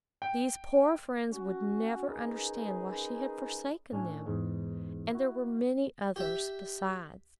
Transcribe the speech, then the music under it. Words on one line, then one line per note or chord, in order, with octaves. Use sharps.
These poor friends would never understand why she had forsaken them; and there were many others besides.
G5
C#4 F#4
C#4 D#4 G#4 A#4 B4
A2 C#4 D4 G#5
E2 G#2
E4 F#4
G4 E5